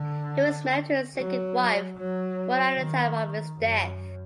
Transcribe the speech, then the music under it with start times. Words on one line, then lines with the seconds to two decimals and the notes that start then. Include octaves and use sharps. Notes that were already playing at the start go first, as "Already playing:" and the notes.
He was married to his second wife, Rona at the time of his death.
Already playing: D3
1.17 F#3
1.98 F#3
2.77 D#3
3.56 F#2